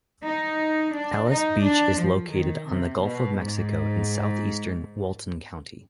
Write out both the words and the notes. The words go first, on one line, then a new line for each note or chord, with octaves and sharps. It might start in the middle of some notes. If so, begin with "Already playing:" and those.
Alys Beach is located on the Gulf of Mexico in southeastern Walton County.
D#4
D4
D#4
D4
F3
D#3
C3
B2
G#2